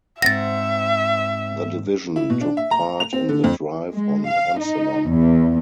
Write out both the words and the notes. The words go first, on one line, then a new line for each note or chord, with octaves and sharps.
The division took part in the drive on Amsterdam.
G#2 C4 E5 F#5 A6 A#6
E4
B2
D4
E5
A#5
F7
C4
D3
F2
G#3
F5
D#4
E2